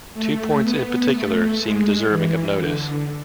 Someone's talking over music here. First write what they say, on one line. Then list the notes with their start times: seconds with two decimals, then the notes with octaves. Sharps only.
Two points in particular seem deserving of notice.
0.14 A3
0.62 B3
1.11 A3
1.59 G#3
2.08 E3
2.57 D3